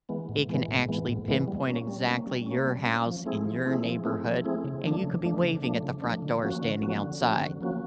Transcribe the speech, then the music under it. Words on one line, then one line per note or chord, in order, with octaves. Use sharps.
it can actually pinpoint exactly your house in your neighborhood, and you could be waving at the front door standing outside,
E3 G#3 B3
A2
E3 G#3 B3
A2
E3 G#3 B3
A2
E3 G#3 B3
G3
A#3 C#4
G3
A#3 C#4
G3
A#3 C#4
G3
A#3 C#4
F3
A3 C4 E4 G#4
F3
A3 C4 E4 G#4
F3
A3 C4 E4 G#4
F3
A3 C4 E4 G#4
C#3
F3 A3 D4
C#3
F3 A3 D4
C#3
F3 A3 D4
C#3
F3 A3 D4
D3
F3 A#3 C#4 F#4
D3
F3 A#3 C#4 F#4
D3
F3 A#3 C#4 F#4
D3
F3 A#3 C#4 F#4